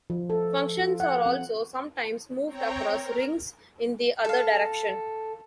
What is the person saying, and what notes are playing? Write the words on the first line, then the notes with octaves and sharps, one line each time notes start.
Functions are also sometimes moved across rings in the other direction.
F3
A4
F4
F#5
C4
C4 C#5 G5 A#5
A#4
A4 F5